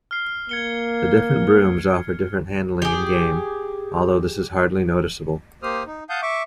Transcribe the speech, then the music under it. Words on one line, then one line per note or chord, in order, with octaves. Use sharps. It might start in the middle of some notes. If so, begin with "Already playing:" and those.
The different brooms offer different handling in-game, although this is hardly noticeable.
F6 C7
A#3 G#6 C#7 G7
G4 G#4
A#3 G4 C5 D#6 F6
D#4
F5 F#5 A5 D#6 G6
E5 C#6 D6